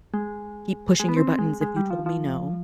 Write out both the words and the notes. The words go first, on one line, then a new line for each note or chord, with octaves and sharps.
keep pushing your buttons if you told me "no."
G#3
G#3
B3
C4
G#3
G#3
G3
F3
F3